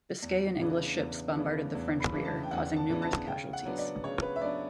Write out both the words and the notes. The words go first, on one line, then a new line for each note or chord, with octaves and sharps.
Biscay and English ships bombarded the French rear, causing numerous casualties.
E2
C#3 E3 B3 D4
E2
C#3 E3 B3 D4
E2
B5
C#3 E3 B3 D4
A5
G5
E2 F#5
A5
C#3 E3 B3 D4
A5
C#3 G5
F#5
F#3 B3 D4
D5
C#3 C#5
B4
E5
F#3 B3 D4 D5